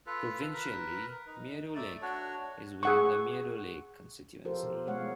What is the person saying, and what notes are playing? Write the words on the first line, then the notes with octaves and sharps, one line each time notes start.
Provincially, Meadow Lake is within the Meadow Lake constituency.
F4 A4 B4
A#4 B4
D#4
A3 D5
D4 F#4 C#5
G#4 F#5 C#6
F3 F4 G4 A4 A#4 C5
B2
G#3 A3 C#5 F5 F#5